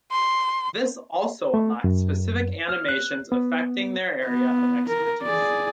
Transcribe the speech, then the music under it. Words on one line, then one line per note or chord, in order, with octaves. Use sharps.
This also unlocks specific animations affecting their area of expertise.
C6
A3
F#2
F6
F#6
B3
B3
A#4
G#4 D5